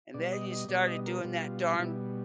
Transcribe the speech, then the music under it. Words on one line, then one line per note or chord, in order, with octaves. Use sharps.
"And then, you started doing that darn
B2 G3 D5
D#5
D#5
B2 G3 D5
D#5
A#4
B2 G3 F4
B2 G3 E4